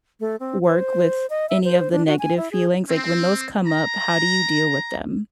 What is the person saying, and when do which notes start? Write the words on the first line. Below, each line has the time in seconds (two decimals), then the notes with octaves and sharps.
work with any of the negative feelings? Like, when those come up, how do you deal with them?
0.20 A3
0.40 C4
0.64 C5
1.30 D#5
1.49 E5
1.64 C5
1.92 D4
2.07 F#4
2.19 G#5
2.37 E4
2.52 G#4
2.89 C4
3.67 A#5